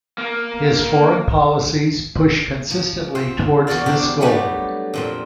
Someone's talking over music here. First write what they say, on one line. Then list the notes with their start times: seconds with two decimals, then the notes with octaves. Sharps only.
His foreign policies pushed consistently towards this goal.
0.18 A#3
2.71 F3
3.15 C4 C5
3.67 E2 A#3 F#4 A4 D5 F5
3.86 C4 D4 G4
4.21 F#3 G3 A3 B3 D4 G4
4.94 F2 A#2 C4